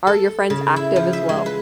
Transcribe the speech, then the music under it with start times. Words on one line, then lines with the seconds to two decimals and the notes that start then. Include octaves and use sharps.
Are your friends active as well?
0.07 A4
0.50 C#3
0.76 E4
0.96 F3
1.13 E5
1.29 G#3
1.46 B4